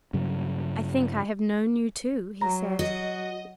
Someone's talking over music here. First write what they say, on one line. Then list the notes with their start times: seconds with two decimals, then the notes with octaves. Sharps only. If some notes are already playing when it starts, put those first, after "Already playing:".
"I think I have known you, too!" he said.
0.13 G2 C#3 F#3
2.41 F#3 A#5
2.79 F#4 D#5